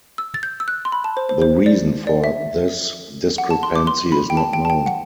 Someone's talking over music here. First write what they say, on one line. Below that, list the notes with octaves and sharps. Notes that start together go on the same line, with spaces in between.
The reason for this discrepancy is not known.
E6
A6
G6
E6
F#6
C6
B5
A5
C5
C5
C5
D5
D5
E5
F#5
A5
C6
D6
C6
B5
G5
A5
G5
A5
G5
F#5